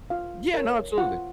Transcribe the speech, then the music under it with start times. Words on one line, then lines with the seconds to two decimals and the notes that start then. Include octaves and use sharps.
Yeah, no, absolutely.
0.10 F4 F5
0.54 A#4 C#5
0.98 F4 F#5